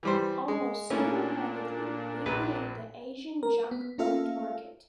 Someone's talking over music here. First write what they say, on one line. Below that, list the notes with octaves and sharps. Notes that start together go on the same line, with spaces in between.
Almost single-handedly, Lee created the Asian junk bond market.
E3 G3 C5
G#3
A#2 A3 C#4 D4 E4
A#1 B4
A#4
B3
A#3 C#4 F4 A4 E5 F5